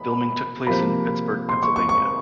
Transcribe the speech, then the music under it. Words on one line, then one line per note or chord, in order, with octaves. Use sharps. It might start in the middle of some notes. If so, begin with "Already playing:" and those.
Filming took place in Pittsburgh, Pennsylvania.
Already playing: B5
C3 F3 A#3 B5
C6
C#6
C#6
C#6